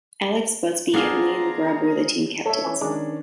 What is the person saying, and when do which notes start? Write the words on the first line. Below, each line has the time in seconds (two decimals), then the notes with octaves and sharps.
Alex Buzbee and Liam Grubb were the team captains.
0.94 B3 D4 F4 G#4 F5 A#5
2.46 A3 A4 C#5 E5
2.64 E3 C#4
2.81 D#3 G#3 C#4 D4 D5